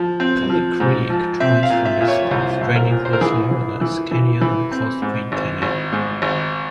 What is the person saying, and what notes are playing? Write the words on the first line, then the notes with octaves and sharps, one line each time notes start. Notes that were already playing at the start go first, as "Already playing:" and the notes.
Kelly Creek joins from the south, draining Los Laureles Canyon and Cold Spring Canyon.
Already playing: F3
C4
F3
G#2
F3
C4 E5
F5
A#2
E5
A#2 E5
C#5
C2 C5
C2
A#4
A#2
C5
A#4
E3 G#4
E3
E3
E3
E3
C4
G#2
G#1
G#1
G#2
G#1